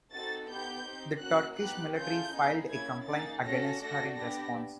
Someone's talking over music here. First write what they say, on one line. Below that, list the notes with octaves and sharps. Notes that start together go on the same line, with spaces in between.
The Turkish military filed a complaint against her in response.
C4 D#4 F#4 A4 A6
B3 D#4 G4 G6
C4 D#4 G4
A#3 C#4 F#4 F#6
B3 D#4 G4 F#6
A3 C#4 F4 G#4 G6
B3 D#4 G#4
A#3 C#4 E4 G#6
A#3 D#4 G#4 A6
A3 C#4 F#4 A4 A#6
A3 D4 F#4 A4 A#6
B3 D4 G4 A#6